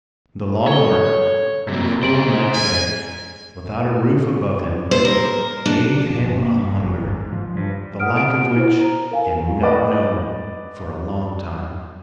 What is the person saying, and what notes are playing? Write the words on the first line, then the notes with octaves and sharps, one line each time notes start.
The long work and the cool night air, without a roof above him, gave him a hunger, the like of which he had not known for a long time.
A4 C#5 G7
C3 A#3
G#4 C5 D7 F#7
G#5
C5
A#4
D4
F3
G1
A#3
G2
G#1
G#2
F3
G2
F#5 D#6 F6 D7
D7
E4 C5
A#5
A#4 F5 G#5
B4 D5 D#5